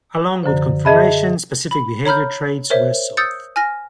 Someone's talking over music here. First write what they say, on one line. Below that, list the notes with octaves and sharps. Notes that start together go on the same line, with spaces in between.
Along with conformation, specific behaviour traits were sought.
F#2 D3 F3 C5
G#4 D#5 E5 A5 B5
B5
C#5 A#5 B5 F6 G6
A#4 C5 C#5 E5
D#6 E6 G6 A6 C#7
G#5 F6 A#6